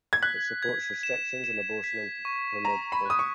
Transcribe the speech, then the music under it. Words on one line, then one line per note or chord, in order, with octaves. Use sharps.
It supports restrictions on abortion and pornography.
G#6
F#6 B6
G#6
E7
E7
B6
C#6
A#5 B6
B5
D#6 F#6
C#6